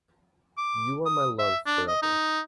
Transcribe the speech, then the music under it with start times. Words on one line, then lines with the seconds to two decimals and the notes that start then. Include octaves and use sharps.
You are my love forever.
0.58 D6
1.06 D#6
1.39 E5
1.66 D4
1.88 D#5
2.03 D#4